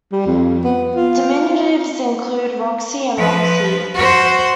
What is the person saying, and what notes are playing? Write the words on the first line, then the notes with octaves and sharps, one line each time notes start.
Diminutives include "Roxie" and "Roxy".
G3
F2
B3
F4
F3 B4
F#4 C5